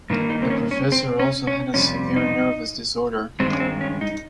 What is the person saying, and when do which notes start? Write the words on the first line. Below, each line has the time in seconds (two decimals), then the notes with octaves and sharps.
The professor also had a severe nervous disorder.
0.10 G2 D#3 A#3
0.30 D#4
0.42 C4
0.50 C#4
0.71 C#4
0.92 C4
1.20 C#4
1.47 C#4
1.74 F2 C3 G3 C#4
2.16 D#4
3.40 G2 D#3 G#3 C4
3.52 C#4
3.60 C4
3.81 C#4
4.01 D#4